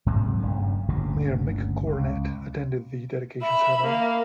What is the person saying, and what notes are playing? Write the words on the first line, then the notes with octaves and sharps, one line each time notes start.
Mayor Mick Cornett attended the dedication ceremony.
G#2 C3 F#3 G#3
F#1 G2 A#2 C#3
G1 D2 A#2 C#3
C#2
E5 B5
A#3